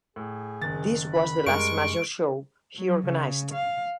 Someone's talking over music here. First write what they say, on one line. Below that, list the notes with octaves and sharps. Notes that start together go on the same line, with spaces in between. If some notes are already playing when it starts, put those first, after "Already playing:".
This was the last major show he organised.
A2 G#4
F#1 D#3 A6
B5
F#2 G3 G#3 A#4 C#6 D7
F#3
C#3
F5